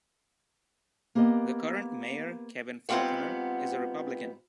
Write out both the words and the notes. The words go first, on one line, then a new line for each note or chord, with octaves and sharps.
The current mayor, Kevin Faulconer, is a Republican.
A#3 B3 G4 A#4 D#5
G#2 B3 C4 F4 G4 F#5